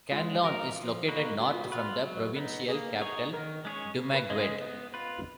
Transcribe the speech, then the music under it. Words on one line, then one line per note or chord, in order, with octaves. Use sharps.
Canlaon is located north from the provincial capital Dumaguete.
G#3 F4
D#4 F#4 A#4
F3
A#3 D#4 F#4 B4
B3 F#4
F4
F#4
F4 B4
F#3
B3 D#4
A#3 G#4
D#4 G#4 C#5
D#3 A#4
G#3 C#4 G#4 C#5
C#3
B4
G#3 C#4 G#4 D#5
D#5
B3 D#5
F4 B4